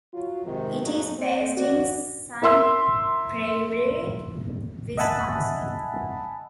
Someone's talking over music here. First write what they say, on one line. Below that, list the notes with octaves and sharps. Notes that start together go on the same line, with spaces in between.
It is based in Sun Prairie, Wisconsin.
F#3 F4 F#4
C3 D#3 G#3
F#2 A#2 C#3 F#3 A3 D#4
C4
D#2 F#4 D5
E4 A#4 E5 C6 E6
D#5 E5 F#5 G#5 A5 B5